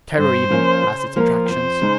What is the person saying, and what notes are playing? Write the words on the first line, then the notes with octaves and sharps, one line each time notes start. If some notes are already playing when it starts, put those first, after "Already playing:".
Terror even has its attractions.
G2 C5
F3 A#3 C#4 F4
C#3
F3 A#3 F4 A#4
F2 C5
C#3 G#3 D#4